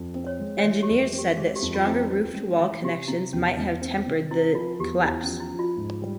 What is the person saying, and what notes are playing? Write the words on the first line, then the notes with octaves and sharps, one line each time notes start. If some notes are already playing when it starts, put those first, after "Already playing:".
Engineers said that stronger roof-to-wall connections might have tempered the collapse.
Already playing: F2
C4
C#5
G#3
C#5
E3 E5
G4
F2
G#4
C4
G4
G#3 G#4
G4
F2
F4
C4 E4
C4 E4
G#3 C#4
E3 E4
C3 G4
C3 E4
E2 C#4
E2
C4
C3
C4 E4
F3 F4
E2 G4
E2 E4
C#4
F3
E4
F3
F4
G#2
G3